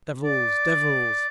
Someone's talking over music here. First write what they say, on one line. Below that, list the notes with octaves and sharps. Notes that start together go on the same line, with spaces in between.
Devils! Devils!
D5